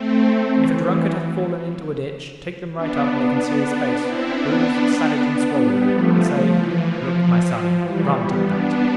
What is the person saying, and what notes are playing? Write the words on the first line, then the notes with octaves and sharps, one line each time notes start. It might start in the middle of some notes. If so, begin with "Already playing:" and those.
If a drunkard hath fallen into a ditch, take them right up where they can see his face, bruised, savage and swollen, and say, "Look, my son: Rum did that!"
Already playing: A3 C4
E3
B3 D4
C4 E4
B3 D4
B3 D4
G3 B3
F3 A3
F3
E3
F3
F3
E3 G3
G3 B3
B3 D4